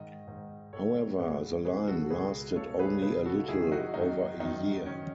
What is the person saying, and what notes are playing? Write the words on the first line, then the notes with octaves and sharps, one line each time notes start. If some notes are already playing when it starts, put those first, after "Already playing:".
However, the line lasted only a little over a year.
Already playing: G#2 D#3 D#5
G#2 D#3
G#2 D#3 A4 C#5
G#2 D#3 G#4 B4
C#2 B2 G#4 B4
F#4 A4
C#2 B2 G#4 B4
C#2 B2 A4 C#5
G#4 B4
C#2 B2 G#4 B4
F#4 A4
F#2 D#3 E4 G#4
D#4 F#4
F#2 D#3 D#4
F#2 D#3 D#4
D#3 C#4